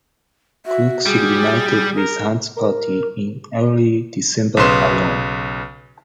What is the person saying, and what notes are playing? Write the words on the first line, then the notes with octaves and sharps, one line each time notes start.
Crooks reunited with Hunt's party in early December alone.
F#4 E5
G3 G#4
A#4
A#4
B1 C#3 B4 C6 E7